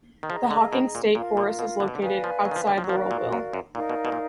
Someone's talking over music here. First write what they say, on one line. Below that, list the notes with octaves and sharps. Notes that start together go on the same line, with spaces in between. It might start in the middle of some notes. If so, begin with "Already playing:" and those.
The Hocking State Forest is located outside Laurelville.
D#3
F3 G#4 D#5 A#5
D3
B2
A#2
A#2 F4 A#4 F5
A#2
B2
D3
B2
D3
D#3 B4 D5 F5 G#5
F3
F#3
D#3
F3
D3
F3
F#3
F3 F#4 A#4 D5 F5
A#2
F#2
F#2
A#2 D#4 A#4 D5 F5
B2
B2
A#2